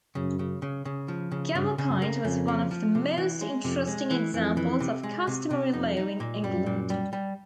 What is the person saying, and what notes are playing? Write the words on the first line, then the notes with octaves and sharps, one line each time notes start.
Gavelkind was one of the most interesting examples of customary law in England.
F#2 C#3
C#3
C#3
C#3
F3
C#3
G2 C#3
C#3
F#2
A#3
F2 C#3
F3
F3
C3
E3
G#3
F2 C3
G#3
E3
F2 E3
E3
C3
G#3
C3
C3
F2 D#4
D#4
A#2
F#2 G3
A#2
G3
G3